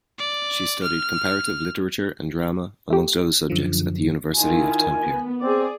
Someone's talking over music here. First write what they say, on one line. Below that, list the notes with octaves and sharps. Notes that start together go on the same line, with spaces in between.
She studied comparative literature and drama, amongst other subjects, at the University of Tampere.
D5
F6
A3 G4
F#2 D3 F3
D#3 E4 F4 G#5
B3
C4 G#4 D5